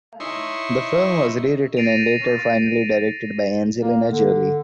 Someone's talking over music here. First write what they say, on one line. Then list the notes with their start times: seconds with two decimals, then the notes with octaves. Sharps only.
The film was rewritten and later finally directed by Angelina Jolie.
0.20 D#4 E4 C#5 C6
1.77 A6 A#6 C7 D7 D#7 F7
3.82 A#3
4.12 D3